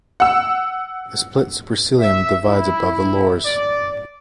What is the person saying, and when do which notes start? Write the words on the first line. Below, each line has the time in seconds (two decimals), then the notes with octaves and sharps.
A split supercilium divides above the lores.
0.20 F#5 E6
2.00 E5
2.46 E4
3.45 D5